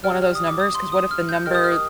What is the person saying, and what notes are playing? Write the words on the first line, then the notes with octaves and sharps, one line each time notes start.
one of those numbers, 'cause what if the number
G4 D5 G5 F6
F6
D#6
D6
D#6
C6
D#6
F6
G6
G4 A#4 D#5 G5 F6
D#6
F6
D#6